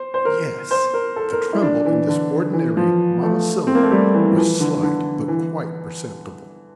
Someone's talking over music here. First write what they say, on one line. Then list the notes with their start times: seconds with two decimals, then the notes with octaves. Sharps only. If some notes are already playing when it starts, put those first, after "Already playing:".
"Yes." The tremble in this ordinary monosyllable was slight but quite perceptible.
Already playing: C5
0.14 C5
0.25 A#4
0.71 C5
0.94 A#4
1.16 A4
1.32 A#4
1.53 E4
1.62 D4
1.85 E3
2.08 D3
2.53 E3
2.77 F3
3.22 A3
3.67 C4
3.75 A#3
3.83 A3
3.92 G3
4.14 E3
4.25 E3
4.32 F3
4.37 E3
4.60 D3
4.83 D3
5.28 E3